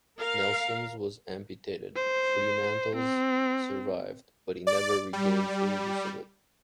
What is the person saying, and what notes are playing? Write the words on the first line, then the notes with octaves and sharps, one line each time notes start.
Nelson's was amputated; Fremantle's survived, but he never regained full use of it.
A#4 F5
C5
C4
D5
G3